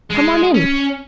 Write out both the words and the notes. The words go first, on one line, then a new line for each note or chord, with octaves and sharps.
"Come on in."
G#3
C#4